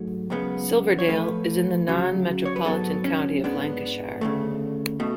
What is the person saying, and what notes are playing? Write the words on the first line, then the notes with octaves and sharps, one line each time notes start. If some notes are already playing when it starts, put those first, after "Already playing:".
Silverdale is in the non-metropolitan county of Lancashire.
Already playing: G#2 F#3 A3 C#5
F#2 C#3 G#3 B3
C#5
A2 F3 A3 B4
D2 C#3 F#3
C#5
B4
G#2 F#3 B3 A4
C#4
G#2 G#3 B3 D4
D2 C#3 F3 A3
B2 A3